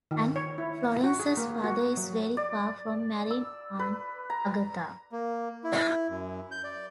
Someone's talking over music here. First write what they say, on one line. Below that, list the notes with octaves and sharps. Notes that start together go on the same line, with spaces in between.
And Florence's father is very far from marrying Aunt Agatha.
D#3
C#5
E4
F#4
G#4
A#3
F#4
F#3
D5
E6
B4
A#5
A#3
E4
F#2
G6
D5